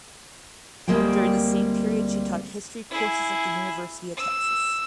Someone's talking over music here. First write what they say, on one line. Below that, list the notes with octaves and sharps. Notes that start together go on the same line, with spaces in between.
During the same period she taught history courses at the University of Texas.
D2 G3 G#3 A#3 C4 G5
E4 G#4
E6